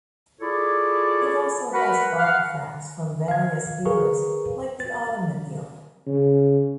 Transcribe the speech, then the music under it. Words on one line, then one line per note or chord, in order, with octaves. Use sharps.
It also has artefacts from various eras like the Ottoman Era.
E4 F4 G#4 A4 C#5 D5
F#4 A#4 B4 F#5 B5
F5 F#5
F5 G#6
G#4 A#4 B4 F5 C#6
A6
C#3